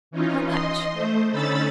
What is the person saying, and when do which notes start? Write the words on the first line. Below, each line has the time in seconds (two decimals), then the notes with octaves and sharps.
"How much?"
0.11 E3 C#4 D#4 F4
0.46 D#5 C6
0.93 A3 C5
1.32 D3 C#4 D#4 B5 E6 A6